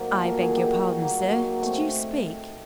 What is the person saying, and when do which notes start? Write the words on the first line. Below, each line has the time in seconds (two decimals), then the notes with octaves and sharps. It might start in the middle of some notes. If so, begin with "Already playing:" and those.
I beg your pardon, sir, did you speak?
Already playing: F#3 A#3 D#4 C5
0.11 A#2 A#4
0.27 A4
0.41 F#3 A#3 D#4 G#4
0.57 G4
0.72 A#2 F#4
1.02 F#3 A#3 D#4
1.32 F#3
1.62 A3 C4